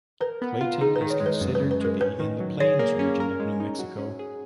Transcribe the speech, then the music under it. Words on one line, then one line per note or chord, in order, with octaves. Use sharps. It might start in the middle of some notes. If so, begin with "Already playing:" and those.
Clayton is considered to be in the Plains region of New Mexico.
A#4 B4
B3
F4
D#4 G#4
B4
D#3
C#5
G#3
B4
F#2
B4
C#3
B4
G#3 A#4
C#4 B4
D#3
F#3
G#4 C#5
A#3
C#4
A#4
G#3
D#4
F#3
C#4
G#4